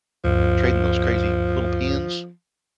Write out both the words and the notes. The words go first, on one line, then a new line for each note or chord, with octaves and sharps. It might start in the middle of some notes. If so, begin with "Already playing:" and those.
trading those crazy little pins.
D2 G2 F3